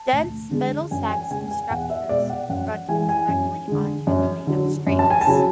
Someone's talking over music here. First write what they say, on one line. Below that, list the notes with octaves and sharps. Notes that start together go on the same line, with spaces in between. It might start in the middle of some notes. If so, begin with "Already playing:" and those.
Dense Middle-Saxon structures fronted directly onto the made-up streets.
Already playing: A5
D2
D3 G#3
F#2 G#5
G#5
C#3 G#3 G#5
G#5
E2 F#5
E5
B2 G#3 D5
F#5
F#2 F#5
E3 G#3 G#5
G#5
F#2
D3 G#3
F#2
D3 F#3
F#2
A5
G#5
A5
C#3 F#3